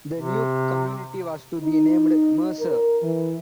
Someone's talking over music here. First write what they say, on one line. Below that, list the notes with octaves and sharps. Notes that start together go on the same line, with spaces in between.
The new community was to be named Mercer.
C3
D#4
A#4
E3